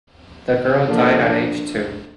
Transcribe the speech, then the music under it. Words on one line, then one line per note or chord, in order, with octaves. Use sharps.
The girl died at age two.
D3 F3 A#3 D4